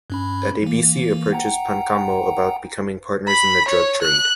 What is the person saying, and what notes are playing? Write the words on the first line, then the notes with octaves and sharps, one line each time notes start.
Adebisi approaches Pancamo about becoming partners in the drug trade.
G2 C#4 B5
E3 A#3
F#5 G5 A#5
B5
C#5
F#6